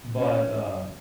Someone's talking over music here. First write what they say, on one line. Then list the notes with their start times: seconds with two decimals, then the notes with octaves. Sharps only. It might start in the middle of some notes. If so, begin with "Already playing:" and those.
But, uh,
0.16 C#4